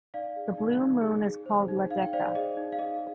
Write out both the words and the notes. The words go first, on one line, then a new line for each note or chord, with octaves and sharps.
The Blue Moon is called Ladeca.
D#4 D5 F5
G#4
D#4
D#4
G#4
G#4
C5
D#4
D#4 F5
G5
C5 D5 F5
G#4 D#5
D#4
F5
G#4 D#5